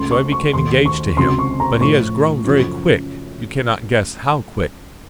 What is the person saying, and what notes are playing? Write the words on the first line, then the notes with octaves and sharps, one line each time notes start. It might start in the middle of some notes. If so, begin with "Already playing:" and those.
So I became engaged to him. But he has grown very quick--you cannot guess how quick.
Already playing: C#2 C#3 A3 C6
C#6
C#6
D#2 D#3 A3 C6
C#6
C#2 C3 F#3 C6
C#6
A#5
A2 F3 A3 C#6
F#2 C#3 F3 A3